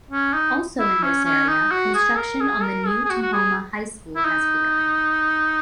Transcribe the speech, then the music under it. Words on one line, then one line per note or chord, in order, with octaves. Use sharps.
Also in this area, construction on the new Tahoma High School has begun.
C#4
D#4
E4
C#4
C#4
D#4
F#4
G#4
A#4
G#4
A#4
G#4
G#4
F#4
F#4
G#4
E4
D#4